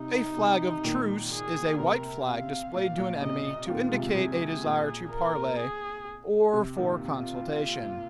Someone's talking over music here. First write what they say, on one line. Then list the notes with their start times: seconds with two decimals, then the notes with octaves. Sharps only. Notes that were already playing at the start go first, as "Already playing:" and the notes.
A "flag of truce" is a white flag displayed to an enemy to indicate a desire to parley or for consultation.
Already playing: C3 D#4
0.37 C3
0.84 A#2 D#3
1.32 G#4
1.79 C3 A#4
2.27 F5
2.74 A#2 F5
2.98 A#2
3.21 C3 D#5
3.68 A#2 D#3 F4
3.88 G#3
3.93 C3 F3
4.16 C3 G#4
4.64 A#2
5.11 A#4
5.58 G#4
6.53 C3
6.77 A#2 D#3
7.01 F4